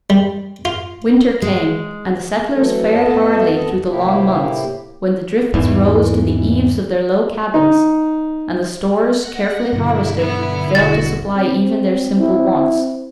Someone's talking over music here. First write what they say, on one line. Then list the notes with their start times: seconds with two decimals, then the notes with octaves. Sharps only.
Winter came, and the settlers fared hardly through the long months, when the drifts rose to the eaves of their low cabins, and the stores, carefully harvested, failed to supply even their simple wants.
0.10 G3
0.65 F4
1.42 G#3
2.55 E3 F#3 A3 A4
2.92 F2 B3 A4 D#5 A5
3.89 A2 C3 A#3 E4 G4
5.54 E2 G#2 E3
7.54 D#4
9.18 F#5 A#6
9.73 G2 B2 D3 F#3 E4
10.18 B3
10.75 E1 B2 F#4 A6
11.34 C4
12.19 E4